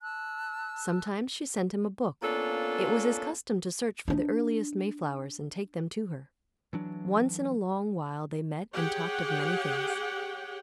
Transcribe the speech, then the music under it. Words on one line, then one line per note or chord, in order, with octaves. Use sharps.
Sometimes she sent him a book; it was his custom to search for the earliest mayflowers and take them to her; once in a long while they met and talked of many things.
A5 E6 F#6
A#3 B3 C#4 D4 F4 A4
D4 D#4
E3 F#3 D4
G4 G#4 C#5 F#5 G5